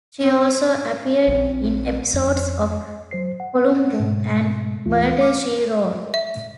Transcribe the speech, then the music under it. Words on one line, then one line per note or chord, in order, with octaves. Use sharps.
She also appeared in episodes of "Columbo" and "Murder She Wrote".
C4
A#1 F3 C4
F2
F#3 C5 C7
F#5
G#2 B2 G#3
D2 E3 A3 F4
D6 F6
E5